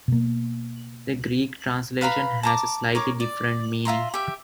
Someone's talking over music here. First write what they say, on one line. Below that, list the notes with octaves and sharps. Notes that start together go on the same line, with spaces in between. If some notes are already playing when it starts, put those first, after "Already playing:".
The Greek translation has a slightly different meaning.
B2 A#3
B4 F5 A#5 B5
A5 A#5 D6
A#4 C#5 D6
D5
F4 E5 A#5 C6
G4 E5